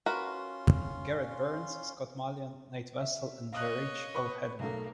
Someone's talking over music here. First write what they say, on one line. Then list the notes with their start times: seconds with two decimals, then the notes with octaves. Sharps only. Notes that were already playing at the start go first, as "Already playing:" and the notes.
Garrett Byrnes, Scott Malyon, Nate Wessel and Joe Rich all had one.
0.06 C#4 F4 F#4 A#4 B4 C6
3.00 E5
3.53 C#5 D#5 F5 D#6 F#6
4.15 B4 B5 C#6
4.59 B1 A3 A#3